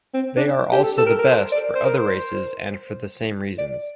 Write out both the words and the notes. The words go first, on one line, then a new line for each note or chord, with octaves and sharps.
They are also the best for other races and for the same reasons.
C4
D4
G4
A4
A4
A#4
A#4
C5
D5
C5
A#4
C5
D5